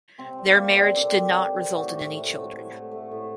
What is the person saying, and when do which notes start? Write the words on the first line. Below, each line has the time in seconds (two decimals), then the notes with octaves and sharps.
Their marriage did not result in any children.
0.18 C3 C4
0.38 G3
0.45 A#3 D4
0.58 G3
0.70 A4 C5
0.77 C3
0.96 C3 G4 A#4
1.16 G3
1.36 G3
1.55 C3
1.74 A2 F#4 A4
1.94 A3
2.13 A3
2.34 A2
2.52 A2
2.72 A3
2.91 A3
3.11 A2